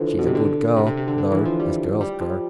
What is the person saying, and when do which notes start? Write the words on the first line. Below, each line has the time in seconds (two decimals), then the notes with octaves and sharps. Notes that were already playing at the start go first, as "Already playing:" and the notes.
She's a good girl, though, as girls go.
Already playing: D3 E3 F3
0.19 B2
0.27 C3
0.35 D3
0.76 C3
0.86 C3
0.97 C3
1.08 D3
1.18 D3
1.32 E3
1.46 F3
1.60 G3
2.01 G3
2.21 F3